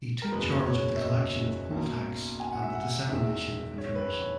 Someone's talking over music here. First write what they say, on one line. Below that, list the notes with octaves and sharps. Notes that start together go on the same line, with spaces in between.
He took charge of the collection of poll tax and the dissemination of information.
A#4
F#1 E2 B2 G#3 B4
C#5
E5
D#5
B1 B2 A#3
G#5
F#5
E5
F#5
E2 D#3 G#3 E5
C#5
B4
C#5